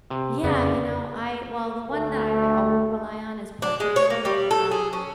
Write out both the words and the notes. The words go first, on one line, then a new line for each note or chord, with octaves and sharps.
Yeah, you know, I well, the one that I always rely on is portrait mode, um,
C3
F2 C#3 B3 D5
D2 A3
D4
G#3
C#5
A#3
G3
A4
G#4
C#4